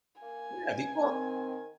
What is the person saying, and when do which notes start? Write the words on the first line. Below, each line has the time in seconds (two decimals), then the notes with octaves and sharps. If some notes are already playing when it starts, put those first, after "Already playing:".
Yeah, the e well,
0.22 A#3 G#5
0.61 C#2
1.03 D#3 C4